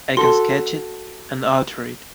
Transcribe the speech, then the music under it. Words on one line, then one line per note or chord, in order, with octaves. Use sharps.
I can sketch it and alter it.
F#4 A4 C6